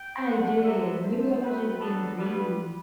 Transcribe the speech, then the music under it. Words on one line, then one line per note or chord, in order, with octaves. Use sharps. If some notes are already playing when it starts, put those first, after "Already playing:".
I did. Maybe I was just being greedy.
Already playing: G5
G2 D3 A3 D4 F#5
F#2 D3 F#3 B3 D4 E5
G2 D3 A3 C5
B2 F#3 A3 C4 B4
D3 F#3 B3 D4 A4
G2 D3 G3 B3 B4